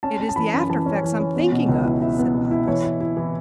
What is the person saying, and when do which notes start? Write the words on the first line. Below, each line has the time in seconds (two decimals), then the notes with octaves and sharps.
"It is the after effects I'm thinking of," said Pybus.
0.03 C#4 A5
0.20 C#4
0.29 A5
0.36 E3 B5
0.53 F#2
0.59 B5
0.70 E3 A5
0.86 C#4
1.03 E3
1.20 C#4
1.36 B3
1.52 B2
1.69 C#2
1.85 E4
2.02 E4 E5
2.19 B3
2.35 B2
2.51 E4
2.68 E3 C#5
2.84 E4
3.00 E4
3.17 E3